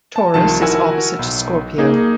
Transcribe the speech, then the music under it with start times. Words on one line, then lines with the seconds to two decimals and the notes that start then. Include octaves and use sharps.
Taurus is opposite to Scorpio.
0.16 A5
0.34 C2 D#3 F3 A5
0.60 E4 F#4 A#4 F#5 G#5 E6
1.19 B1
1.78 A#3 D#4 G#4